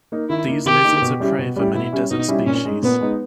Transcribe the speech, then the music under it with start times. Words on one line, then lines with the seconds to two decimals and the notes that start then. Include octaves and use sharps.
These lizards are prey for many desert species.
0.12 A#3 D#4
0.29 D#3 E4
0.47 A#3 D#4
0.66 D#3 G4
0.84 A#3 D#4
1.02 B2
1.20 G3 C#4 E4 G4
1.39 B2
1.56 G3 C#4 E4 G4
1.75 B2 E4
1.92 G3 C#4 E4 G4
2.10 B2 D#4
2.28 G3 C#4 E4 G4
2.46 A#2 C#4
2.65 G#3 D#4
2.82 A#2 B3
3.01 G#3 D#4